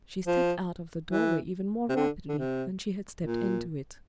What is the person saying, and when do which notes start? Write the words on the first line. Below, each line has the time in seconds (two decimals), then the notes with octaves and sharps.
She stepped out of the doorway even more rapidly than she had stepped into it.
0.27 F3
1.12 E3
1.89 C3
1.96 D3
2.28 D3
2.38 C3
3.23 A#2